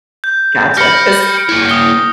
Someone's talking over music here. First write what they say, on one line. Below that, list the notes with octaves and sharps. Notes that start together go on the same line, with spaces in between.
Gotcha, 'cause
G6
G4 B5 F6 A#6 C#7
A#3 E4
D#6 G7